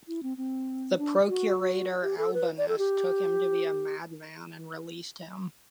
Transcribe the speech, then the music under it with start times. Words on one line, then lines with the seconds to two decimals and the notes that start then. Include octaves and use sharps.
The procurator Albinus took him to be a madman and released him.
0.08 E4
0.23 C4
0.37 C4
0.98 D4
1.28 F#4
2.03 G4
2.18 A4
2.34 B4
2.58 D5
2.68 A4
2.78 G4